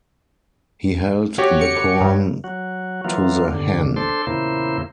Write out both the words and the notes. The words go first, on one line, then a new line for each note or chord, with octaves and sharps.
He held the corn to the hen.
F#4 G4 C#5
C#7
G2
F#3 F#4
E3 F#3 A#3 F4
G2 D3
D4 A4 C5 C6
E2 A#2 C#3 A#3 E4 C5